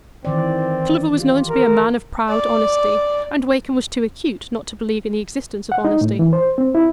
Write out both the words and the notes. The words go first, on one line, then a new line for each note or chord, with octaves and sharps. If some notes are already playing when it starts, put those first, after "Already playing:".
Tulliver was known to be a man of proud honesty, and Wakem was too acute not to believe in the existence of honesty.
D#3 E3 C4 D5
F4 G4
A#4
D5
F#5
D#4
A2
E3
C5
C4
E4